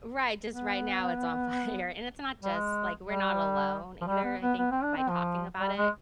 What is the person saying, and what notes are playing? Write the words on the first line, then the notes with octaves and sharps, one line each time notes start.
Right. Just right now, it's on fire, and it's not just like, we're not alone, either. I think, by talking about it
B3
G3
G#3
G3
F3
G3
B3
B3
B3
C4
D4
C4
F3
G3
G#3